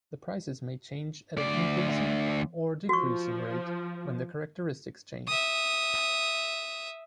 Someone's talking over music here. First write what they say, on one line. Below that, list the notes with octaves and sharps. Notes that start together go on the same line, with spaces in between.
The prices may change at an increasing or decreasing rate when the characteristics change.
D2 D5
F3 F#4 C#6
E5 D#6